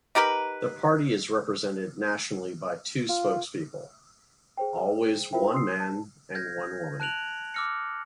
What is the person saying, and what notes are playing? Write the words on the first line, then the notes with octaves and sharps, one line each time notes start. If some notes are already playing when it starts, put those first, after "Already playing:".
The party is represented nationally by two spokespeople, always one man and one woman.
D#4 G4 A#4 B4
F4
G#4 C5 G5
E4 F4 A#4 C5 E5 G5
C6 D#6 E6 C7
A5
F6 G6 G#6 A#6
A5 F#6 D7 F7 F#7
D6 E6 F6 A#6 C#7